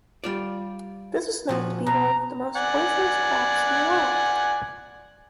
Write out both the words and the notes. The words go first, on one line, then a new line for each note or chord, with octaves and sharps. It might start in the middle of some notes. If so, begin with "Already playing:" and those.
This is known to be one of the most poisonous crabs in the world.
G3 F4 D5
A#2 F3 F#4
B2 A#5
D5 F#5 G#5